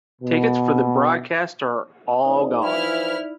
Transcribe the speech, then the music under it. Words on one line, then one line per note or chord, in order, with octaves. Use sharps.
Tickets for the broadcast are all gone.
B2
A#1 D#4 D5
E3 F3 E4 F6